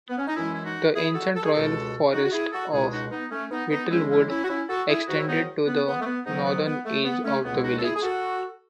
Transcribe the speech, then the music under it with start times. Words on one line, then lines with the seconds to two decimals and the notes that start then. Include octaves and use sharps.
The ancient royal forest of Whittlewood extended to the northern edge of the village.
0.09 B3
0.18 C#4
0.27 D#4
0.36 F#2 E3 G#3 C#4 E4
0.54 E4
0.65 D#4 F#4
0.95 E4 G#4
1.14 F#4 A4
1.35 A4
1.44 G#4
1.54 C#2 B2 G#3 F#4 A4
2.13 D#4 F#4
2.24 F#4
2.32 E4 G#4
2.52 F#4 A4
2.72 C#2 B2 G#3 E4 G#4
2.92 D#4 F#4
3.11 B3 D#4
3.31 A3 C#4
3.51 B3 D#4
3.70 B3 D#4
3.90 E2 C#3 E3 G#3 C#4 E4
4.09 C#4 E4
4.30 C#4 E4
4.44 F#4
4.49 C#4 E4
4.68 F#4 A4
4.89 E4 G#4
5.08 G#2 D#3 F#3 D#4 F#4
5.20 E4
5.27 B3 D#4
5.67 B3
5.87 B3
6.01 A3
6.06 B3
6.25 G#2 D#3 F#3 B3 D#4
6.45 B3
6.66 B3
6.85 A3
7.04 B3
7.24 A3 C#4
7.44 C#2 B2 G#3 B3
7.57 E4
7.63 D#4 F#4
7.77 A4
7.83 E4 G#4
7.95 G#4
8.03 F#4 A4